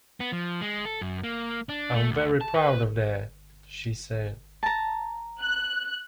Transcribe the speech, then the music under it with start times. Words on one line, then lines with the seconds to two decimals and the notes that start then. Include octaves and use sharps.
"I'm very proud of that," she said.
0.20 B3
0.32 F3
0.61 G#3
0.85 A4
1.01 F#2
1.24 A#3
1.69 D4
1.94 A3
2.11 D2
2.41 A5
2.54 B4
4.63 A5 A#5
5.41 F#6